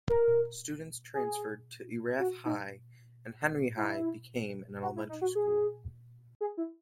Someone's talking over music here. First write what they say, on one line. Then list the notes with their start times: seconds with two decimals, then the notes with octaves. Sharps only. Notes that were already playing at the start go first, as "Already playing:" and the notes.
Students transferred to Erath High, and Henry High became an elementary school.
0.09 A#4
1.14 G#4
2.19 F#4
2.45 D#4
3.77 E4
4.82 F#4
4.96 E4
5.09 D#4
5.21 F#4
5.35 G#4
6.41 G#4
6.57 E4